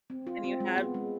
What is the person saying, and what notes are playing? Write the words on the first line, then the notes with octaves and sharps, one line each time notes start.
And you have
C4
F4
C4
G#3
B3
G#3